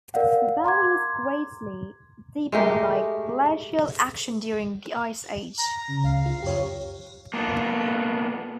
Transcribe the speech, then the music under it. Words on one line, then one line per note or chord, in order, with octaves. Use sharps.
The valley was greatly deepened by glacial action during the Ice age.
A#4 D5 F5 F#5
A#5 C6 D6 G#6
G#3 A3 G4 A#4
A#5
C#3
C#2 F5
F4
F#2 G4 C#5
A#3 B3 D4 F4 A4